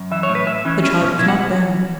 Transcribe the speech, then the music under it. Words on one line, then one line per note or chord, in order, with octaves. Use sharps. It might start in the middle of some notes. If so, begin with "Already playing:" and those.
The child was not there.
Already playing: F#2
E3 E5
C#5
A2
B4
A2 E5
E3 C#4
E2 C#4
B2 C#4
B2 E4
F#5